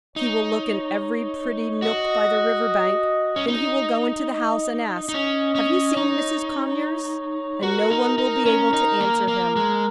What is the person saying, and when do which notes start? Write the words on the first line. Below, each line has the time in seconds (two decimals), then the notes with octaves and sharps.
He will look in every pretty nook by the river-bank, then he will go into the house and ask, 'Have you seen Mrs. Conyers?' And no one will be able to answer him.
0.16 D#4 C#5
1.82 F#4 D#5
3.36 C#4
3.48 D#4 D#5
4.31 D#5
5.09 D#4
5.14 C#4
5.55 C#4
5.97 D#4 C#5
7.63 F#4 A#4
7.90 D#4
8.18 D#4
8.46 C#4
8.73 D#4
9.00 A#3
9.28 A#3
9.56 G#3